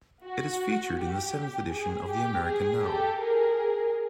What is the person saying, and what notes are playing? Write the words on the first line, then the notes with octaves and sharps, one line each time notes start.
It is featured in the seventh edition of the American Now!
F#4
G4
G#4
G4
G#4
G4 A4
G#4 A#4